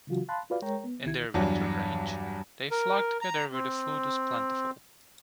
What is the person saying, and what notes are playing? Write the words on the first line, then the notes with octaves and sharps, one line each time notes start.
In their winter range, they flock together where food is plentiful.
C#3 E3 F#3 F4 F#4
F5 A5 B5 C6 F#6
F4 F#4 B4 D5 F5
G#3 A#4 C#5 G5 A#5
B3
C2 D#3 E4 G#6
E2 G2 F#3 D4
A#4
A#5
C4